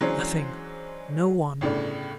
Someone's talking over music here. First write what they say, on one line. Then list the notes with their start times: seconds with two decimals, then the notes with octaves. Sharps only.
Nothing--no one!
0.01 E3 F#3 G#3 C#4 D4 C5
1.61 G1 A2 C#3 D4